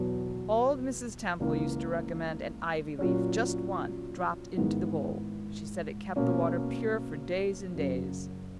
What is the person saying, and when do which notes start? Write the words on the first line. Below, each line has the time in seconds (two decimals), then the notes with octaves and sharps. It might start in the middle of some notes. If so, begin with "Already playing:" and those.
Old Mrs. Temple used to recommend an ivy leaf--just one--dropped into the bowl. She said it kept the water pure for days and days.
Already playing: E2 B2 F#3
1.40 C#2 C#3 E3 A#3
2.99 A#2 F#3 C#4
4.57 G#2 D#3 G#3 B3 E4
6.16 B2 A#3 C#4
7.75 F#2 C#3 F#3